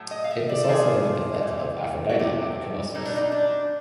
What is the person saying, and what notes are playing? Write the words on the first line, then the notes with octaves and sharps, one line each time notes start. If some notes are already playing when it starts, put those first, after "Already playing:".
It was also an epithet of Aphrodite at Knossos.
Already playing: A2 F#3 A3
D#5
F5
E5
D5
A4
C3 F3 A3 G#4
A#2 G3
F#4
C3 D#3 F#3 A3 G4
B2 F#3 A3 D#4
D4
D#4
D4